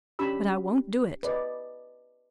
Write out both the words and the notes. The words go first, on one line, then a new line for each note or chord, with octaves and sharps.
But I won't do it!
C#4 D4 G4 B5 E6
B4 D5 D#5